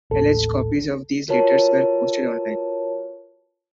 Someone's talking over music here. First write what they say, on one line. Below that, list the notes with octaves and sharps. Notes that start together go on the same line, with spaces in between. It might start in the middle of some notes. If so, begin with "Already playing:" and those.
Alleged copies of these letters were posted online.
A1 D#2 A4
F4 F#4 A#4 B4 C#5 A5